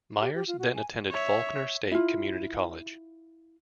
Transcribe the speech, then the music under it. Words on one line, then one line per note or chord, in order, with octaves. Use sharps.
Myers then attended Faulkner State Community College.
G4
G4
F4
F#4
G#5
C#5 E5
E4 F4